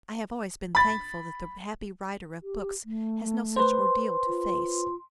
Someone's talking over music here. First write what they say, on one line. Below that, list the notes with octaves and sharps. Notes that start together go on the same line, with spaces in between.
I have always been thankful that the happy writer of books has no such ordeal to face.
B5 A6
G4
A3
B4 C5 C6
F4